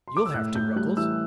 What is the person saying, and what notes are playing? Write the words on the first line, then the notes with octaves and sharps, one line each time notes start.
You'll have to, Ruggles.
C6
D6
E6
A2 F#6
A2 G6
G3 F#6
E3 E6